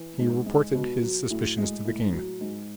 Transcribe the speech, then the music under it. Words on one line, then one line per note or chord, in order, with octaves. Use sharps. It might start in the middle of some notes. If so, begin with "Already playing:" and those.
He reported his suspicions to the king.
Already playing: E3
G#2
G#3
B2
F#3
A2
G#3
A2
F#3
G#2